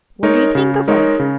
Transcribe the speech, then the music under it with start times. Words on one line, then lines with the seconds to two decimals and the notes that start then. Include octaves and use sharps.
What do you think of her?'
0.23 G#3 D#4 A#4 C#5
0.55 C#3
0.88 G#3 D#4 A#4 C#5
1.20 C#3